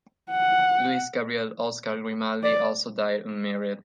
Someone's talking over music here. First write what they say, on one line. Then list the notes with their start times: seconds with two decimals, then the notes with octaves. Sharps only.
Louis-Gabriel-Oscar Grimaldi also died unmarried.
0.30 F#5
2.43 D5